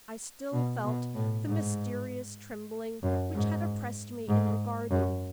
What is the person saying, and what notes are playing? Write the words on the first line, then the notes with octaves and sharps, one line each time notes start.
I still felt the mysterious trembling which had oppressed me in the garden.
B2
B2
A2
G#2
F#2
G#2
G#2
F#2